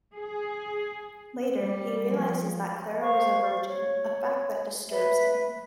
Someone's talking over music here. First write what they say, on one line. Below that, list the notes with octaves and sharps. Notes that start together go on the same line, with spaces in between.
Later he realizes that Clara was a virgin, a fact that disturbs him.
G#4
G3
F3
C5 F5 C#6
C#5
B4 E5